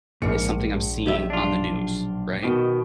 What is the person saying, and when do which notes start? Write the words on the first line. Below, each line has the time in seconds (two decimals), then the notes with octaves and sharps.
it's something I'm seeing on the news, right?
0.22 A#1 G#2 A#3 C#7
1.06 B1 G4 E5
1.30 D4 F4
2.43 B2 D#3 D7